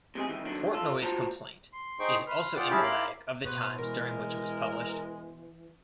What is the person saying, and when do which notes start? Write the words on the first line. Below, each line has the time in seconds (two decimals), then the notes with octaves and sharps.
"Portnoy's Complaint" is also emblematic of the times during which it was published.
0.15 C3 G#3 G#4
0.28 C2 D#3 E3
0.45 D3 D#3 F#3 D4
0.73 F4 A4
1.02 F4 F#4 C5 A5 A#5
1.73 C6
1.99 D#4 G#4 C5 G5 C6 C#6
2.27 B4 C6 F6
2.56 F4 G#4 D5 F#5 G5
2.70 C#4 D4 E4 G4 G#4 A5
2.82 E4 A#4 F5 B5 C6 D6
3.45 B2 B4 C5
3.78 E3 G#3 A#4